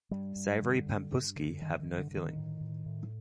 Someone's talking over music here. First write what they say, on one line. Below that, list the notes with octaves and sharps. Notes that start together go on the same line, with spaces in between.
Savoury pampusky have no filling.
G2 G3
G2
D3
G2
G2
D3
G2 D#3
D#3
G2
D3
D3
D#3
A2
A2
A2